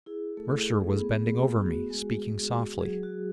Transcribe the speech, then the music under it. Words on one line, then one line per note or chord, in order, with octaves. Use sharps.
Mercer was bending over me; speaking softly.
E4 G#4
A3 A4
A3 G#4
B3 G#4
B3
F#4
G#3
G#3
F#4
F#3 G#4
F#4
F#3